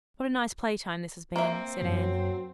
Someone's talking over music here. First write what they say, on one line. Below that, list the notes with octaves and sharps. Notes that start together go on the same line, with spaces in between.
"What a nice play-time this has been," said Anne.
A#3 C4 E5
F#2 F#3